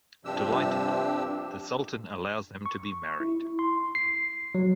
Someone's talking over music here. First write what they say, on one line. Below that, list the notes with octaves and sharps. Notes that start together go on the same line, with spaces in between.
Delighted, The Sultan allows them to be married.
G2 C3 F3 D4 G4 E6
C#6
E4
C6
C7
F#3